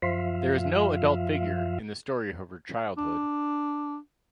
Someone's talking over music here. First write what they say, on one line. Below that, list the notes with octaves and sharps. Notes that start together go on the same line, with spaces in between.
There is no adult figure in the story of her childhood.
F#2 F3 F4 E5 F5
D4